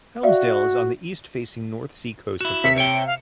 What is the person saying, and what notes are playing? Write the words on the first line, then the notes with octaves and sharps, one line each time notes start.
Helmsdale is on the east-facing North Sea coast of Britain.
F#4 D5 E5 F5
E4 F#4 E7
C3 E5 B6 C#7
C#5 G5 D7
F5